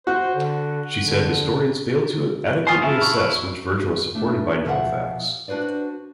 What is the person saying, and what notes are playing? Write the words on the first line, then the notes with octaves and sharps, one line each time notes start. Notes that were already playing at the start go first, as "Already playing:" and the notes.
She said historians failed to adequately assess which version was supported by known facts.
F#4 C5
D3
D3
F4 C5 G#5 C#6 D#6
E4 E5 F5 A5
C#6
A3 D4
B2 F3 G4 E5 F#5
D4 F#4 B4 C5 D5